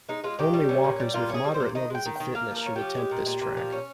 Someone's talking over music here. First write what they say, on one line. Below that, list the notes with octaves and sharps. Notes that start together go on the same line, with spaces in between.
Only walkers with moderate levels of fitness should attempt this track.
G#3 D#4
G#3 F4
D#3 G4
G3
C#4
A#2
G3
A#2 F4
C#4 G#4
G3
C5
A#2
D#3 D#5
G#3 G5
D#3
D#3 G5
A#3 F5
F3
A#4
C#4
G4
F3
G#3
A#2
A#2
A#2
F3
C#4